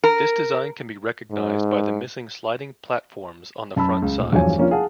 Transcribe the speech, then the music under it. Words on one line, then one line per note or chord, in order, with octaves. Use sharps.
This design can be recognized by the missing sliding platforms on the front sides.
A#4
G#2
F#2 A5 B5 E6
C#2
D#1
E2 G2 F3 F#3 C#5 G#5
F3 A#3 C#4 D4 F4
G#4 F5 F#5 A5